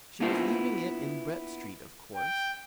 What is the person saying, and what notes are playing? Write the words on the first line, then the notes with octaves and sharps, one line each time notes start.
She was leaving it in Brett Street, of course.
A#3 B3 D4 E4 F4 C5
G5